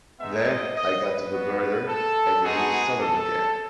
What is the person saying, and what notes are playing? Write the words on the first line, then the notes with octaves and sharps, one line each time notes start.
Then I got to the murder, and he grew solemn again.
G#3 B3 D#4 E5
D#5
D#5
B4
B3 F#4
A4
G#3 B3 D#4 F#4 G#4
A4